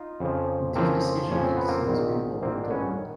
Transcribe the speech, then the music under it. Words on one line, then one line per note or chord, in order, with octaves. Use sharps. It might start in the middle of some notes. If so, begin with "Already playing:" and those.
This decision has since been overturned.
Already playing: D#4 F4
F2 C#3 F3
F2 C#3 F3 A#3 C4
F2 C#3 F3 C#4
C4
B3
A#3 C4
A#1 G#2 D#3
A#1 G#2 D#3 A#3 C4
D4
B3 C#4
D#3